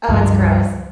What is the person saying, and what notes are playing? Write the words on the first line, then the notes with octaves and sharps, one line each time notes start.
oh, it's gross.
C#2 G2 F3 G3